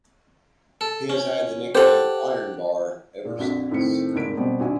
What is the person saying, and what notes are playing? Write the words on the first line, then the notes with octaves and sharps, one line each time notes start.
He has had the nickname "Ironbar" ever since.
A4
C#4
G4 A4 C5 F#5
A#2
A#1 F2 F#4 B6
F2 A2 D#3 C4 B6 C#7
F1 G#2 A#3 B6 D7
B2 G3 C4
A#1 D#3 F#4 G#5